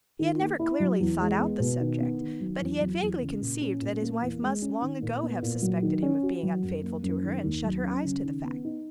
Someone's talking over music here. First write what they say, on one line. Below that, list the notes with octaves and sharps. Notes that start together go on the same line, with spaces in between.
He had never clearly thought out the subject, but he had vaguely conceived that his wife must long ago have suspected him of being unfaithful to her, and shut her eyes to the fact.
D#3
A#3
E4
F#3
E2
G#3
B3
B2
D#3
B3
D#3
F#3
E2
F#3
E2
C#3
A#2
C#4
A#2
A#3
E2
G#3
C#4
D#3
A#2
B3
A#2
F#3
D#3
C#4
F#4
F#3
F#2
A#3
F#2
D#3
D#2
F#3
C#4
C#3
D#3
B3
D#4